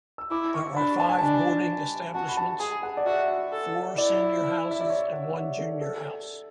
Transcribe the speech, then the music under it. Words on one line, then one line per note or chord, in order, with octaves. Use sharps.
There are five boarding establishments, four senior houses and one junior house.
E6
E4 D6
C#6
D4 B5
A5
G#5
D4 A5
F#4 A5
B5
A5
G#4 G#5
F#5
D5
F#4 E5
A4
E4 D5
E5
D5
C#5
F#5
E5
A4
A4